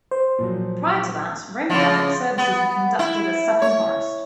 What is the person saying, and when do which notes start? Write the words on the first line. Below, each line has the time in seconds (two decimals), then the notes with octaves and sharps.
Prior to that, Roman Catholic services were conducted at Sutton Forest.
0.11 C5
0.38 A#2 F3 F#3
1.70 C#3 F3
2.38 B3
2.99 E4
3.62 C#5